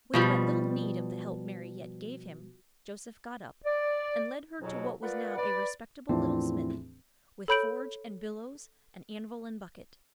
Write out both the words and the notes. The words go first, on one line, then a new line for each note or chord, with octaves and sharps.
With but little need of the help Mary yet gave him, Joseph got up, and led her to what was now a respectable little smithy, with forge and bellows and anvil and bucket.
B2 F3 G3
D5
F2 G#2 B2 F#3
A#3 B3 F4 B4 D5 F#5
B4 D5
E2 A2 E3 F3 C4 D4
A4 C#5 B5 G6 D7 F#7